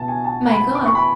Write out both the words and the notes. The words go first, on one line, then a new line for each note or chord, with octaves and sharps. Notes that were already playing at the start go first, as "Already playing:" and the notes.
"My God!"
Already playing: B2 A5
G#5
A5
B5
D6
C#6
B5